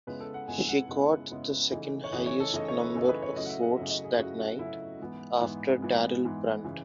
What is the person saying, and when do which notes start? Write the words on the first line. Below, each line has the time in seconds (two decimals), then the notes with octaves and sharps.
She got the second-highest number of votes that night, after Daryl Brunt.
0.07 C#3 G#3 B3 E4 B4
0.20 A4
0.34 F#5
0.48 C#3 G#3 B3 E4 G#5
0.69 F#5
0.89 C#3 G#3 B3 E4 F#5
1.31 C#3 G#3 B3 E4
1.71 C#3 E3 A3 D#4
2.04 C#5
2.12 C#3 E3 A3 D#4 D#5
2.26 C#5
2.40 A4
2.53 C#3 E3 A3 D#4 D#5
2.68 C#5
2.81 B4
2.94 C#3 E3 A3 D#4 A4
3.09 B4
3.22 C#5
3.36 C#3 F#3 A3 C#4 E4 D#5
3.45 F#5
3.49 E5
3.63 F#5
3.77 C#3 F#3 A3 C#4 E4 E5
3.90 D#5
4.04 G#4
4.17 C#3 F#3 A3 C#4 E4 F#4
4.38 F#4
4.59 C#3 F#3 A3 C#4 E4
5.00 G#2 E3 B3
5.41 G#2 E3 B3
5.82 G#2 E3 B3
6.23 G#2 E3 B3
6.64 C#3 E3